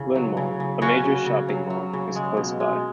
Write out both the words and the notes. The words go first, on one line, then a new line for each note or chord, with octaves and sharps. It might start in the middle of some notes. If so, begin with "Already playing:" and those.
LynnMall, a major shopping mall, is close by.
Already playing: C#3 E4
F#3
C#3
C#3
C#3 C#4 F#4
C#3
C#3
F#3
F#3
C#3
G#3
B2
G#3